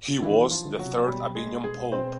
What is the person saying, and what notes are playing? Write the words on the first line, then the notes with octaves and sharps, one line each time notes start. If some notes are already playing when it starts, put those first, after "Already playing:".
He was the third Avignon Pope.
D#3 E3 E4
E3
F3 F4
D3
F#3 F#4
C3
B2 G3 G4
G#3 G#4
G#3 G#4
C4 C5